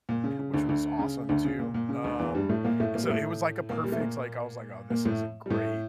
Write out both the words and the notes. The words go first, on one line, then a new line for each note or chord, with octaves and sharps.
which was awesome too, um, and, so, it was, like, a perfect like, I was like, "Oh, this is a great,
A#2
C#3
C#3
D2 D3
D2 D3
C#3
D2 D3
C#3
A#2
A#2
C#3
D2 D3
E2 E3
G2 G3
A2 A3
A#2 A#3
A2 A3
A#2 A#3
G3
A2 A3
A#2 A#3
G3
A3
A#2 A#3
A#2 A#3
A2 A3
G3
A2 A3